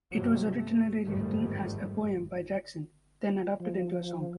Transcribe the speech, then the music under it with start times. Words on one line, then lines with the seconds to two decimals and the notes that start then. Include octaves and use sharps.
It was originally written as a poem by Jackson, then adapted into a song.
0.11 G2 C3 F#3
0.56 A3
1.04 G1 F2 G#2 D#3 G3 A3
3.60 F3